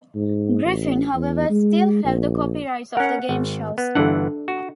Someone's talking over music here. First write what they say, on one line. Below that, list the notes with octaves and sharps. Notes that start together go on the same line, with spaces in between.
Griffin however, still held the copyrights of the game shows.
G#2
A1
E2
G#3
A#1
C#4 A#4 F#5
G#1
B3
G1 E3 D4 A4 F#5
F#4